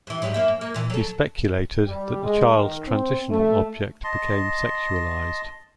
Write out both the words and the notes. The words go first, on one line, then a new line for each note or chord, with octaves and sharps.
He speculated that the child's transitional object became sexualized.
G2 E3
G#2 F#3 G3
F#2 A#3 E5
A#3
A#2 E3
F#3 A4
G3
G#3
D#3
C4
A3
D#5 A5 C6